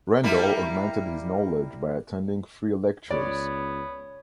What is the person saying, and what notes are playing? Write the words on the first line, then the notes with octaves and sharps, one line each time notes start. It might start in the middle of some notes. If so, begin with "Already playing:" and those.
Randal augmented his knowledge by attending free lectures.
G3 A#3 E4
C#2 B3 C#5 D5